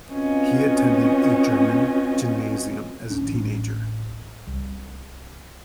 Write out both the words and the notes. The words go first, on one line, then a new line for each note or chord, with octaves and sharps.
He attended a German gymnasium as a teenager.
C4 C#4 F4 F#4 B4 D#5
D1 A1 C#4 D4
C2